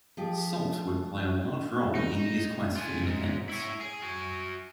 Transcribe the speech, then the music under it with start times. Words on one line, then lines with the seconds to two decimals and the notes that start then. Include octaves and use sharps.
Salt would play a large role in India's quest for independence.
0.17 F3 G4 G#4
1.95 D#4
2.77 F4 G#5
3.04 G#2
3.49 E4 C#5
3.81 G#4
4.02 F#4 G#5